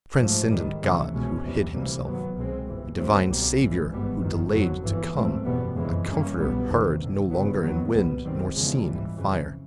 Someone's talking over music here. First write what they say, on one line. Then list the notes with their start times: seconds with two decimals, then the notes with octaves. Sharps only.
A Transcendent God Who hid Himself, a Divine Saviour Who delayed to come, a Comforter heard no longer in wind nor seen in fire!
0.19 G#2 F3 A3
0.50 G#2 D#3 G3
0.81 F2 C3 E3 A3 C#4
1.12 C2 B2 G#3 C#4
1.43 E2 C3 E3 G3
1.73 D2 C3 E3 G3 A#3
2.04 G2 D#3 F#3 B3
2.35 C2 B2 G#3 C4
2.67 G1 G2 E3
2.97 D2 C#3 F#3 A3 C4
3.28 B1 A#2 G3 A#3
3.59 A1 G#2 E3
3.90 G#1 G2 E3 G3 B3
4.21 G1 F#2 D#3
4.52 F2 D3 F#3
4.83 G1 G2 E3
5.14 A1 G#2 F3 A3 C4
5.45 F#1 E2 B2 G3 B3
5.75 F#1 F2 C#3 E3 G#3
6.06 G2 E3 G3 A#3 C#4
6.38 B1 A#2 G3 B3
6.67 E2 C3 D#3
6.99 A1 G2 D3
7.30 G1 F#2 C#3 F#3 B3
7.60 D#2 D#3 F#3 B3
7.91 C2 A#2 G3 B3
8.23 F#2 D#3 G3 C4
8.54 E2 C#3 F3 G#3
8.84 G#2 E3 G3
9.15 F2 C#3 E3